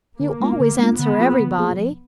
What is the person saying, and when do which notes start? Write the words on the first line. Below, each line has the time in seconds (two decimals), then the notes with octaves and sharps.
You always answer every body.
0.20 D3 A#3
0.40 G#3 B3 D4 F4
0.60 D3
0.79 G#3 B3 D4 F4
0.99 D3 B3
1.18 F3 A#3 F4 G#4
1.39 D3
1.58 F3 A#3 F4 G#4
1.79 F3